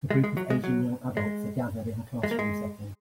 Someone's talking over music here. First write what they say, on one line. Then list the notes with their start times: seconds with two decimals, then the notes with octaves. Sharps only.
A group of Asian young adults are gathered in a classroom setting.
0.10 G#3
0.24 G#3
0.37 F#3
0.50 G#3
0.64 F#3
1.17 G#3
2.23 G#3
2.31 A#3
2.39 G#3